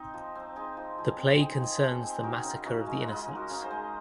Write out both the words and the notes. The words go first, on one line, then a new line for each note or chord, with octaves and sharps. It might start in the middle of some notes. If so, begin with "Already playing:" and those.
The play concerns the massacre of the innocents.
Already playing: C4 D#4 C5
F3
C4
D#4 G#4 C5
F3
F3
C4
D#4 G#4 C5
F3
F3
C4
D#4 F#4 A#4
C#3
C#3 D#4 F#4
G#3
F#4
D#4 F4 G#4
C#3
F#4 A#4
C#3
G#4 C5
G#3